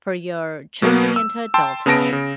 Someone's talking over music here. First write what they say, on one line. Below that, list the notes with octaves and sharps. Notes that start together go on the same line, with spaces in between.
for your journey into adulthood.
B2 F#3 A#3 B3
E6
G5 A5 C6 E6
C#3 B3 A5 A#6 D7
C#3